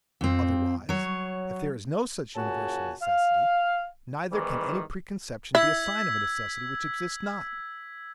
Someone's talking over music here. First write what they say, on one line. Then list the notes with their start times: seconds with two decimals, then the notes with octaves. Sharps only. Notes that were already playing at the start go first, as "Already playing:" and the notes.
Otherwise, if there is no such universal necessity, neither can any preconception be a sign of a necessity which exists not.
0.21 F2 C4
0.89 F#3 C#5
2.36 A#2 C#3 F#4 G#5 A5
3.02 F5
4.31 E2 G#2 D#3 E3 G3
5.55 E4 E6 G#6 B6